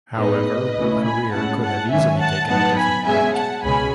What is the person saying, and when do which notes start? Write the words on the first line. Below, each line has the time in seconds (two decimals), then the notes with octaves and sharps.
However, her career could have easily taken a different route.
0.18 A2 G#3 B3 D#4 B4 D#5
0.75 C#2 B2 A3 C#4 E4
1.04 G#5 B5
1.33 A2 G#3 C#4 E4 F#5 A5
1.62 F#5 A5
1.90 G#2 D#3 F#3 C#4 E5 G#5
2.19 F#5 A5
2.48 A2 F#3 B3 D#4 F#5 A5
2.77 G#5 B5
3.06 B2 G#3 C#4 E5 G#5
3.34 F#5 A5
3.63 C#2 B2 G#3 C#4 G#5 B5